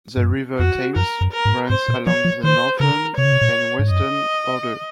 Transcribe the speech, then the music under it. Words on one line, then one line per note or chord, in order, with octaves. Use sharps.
The River Thames runs along the northern and western border.
G#2
F#2
F2 F#4
F#2 A#4
F#2
A#4
G#2
G#2 C5
A#2
F3 C#5
F3
D#3 C5
C#3 A#4
C3 C#5
C#3
C3
A#2
G#2
F#2 D#5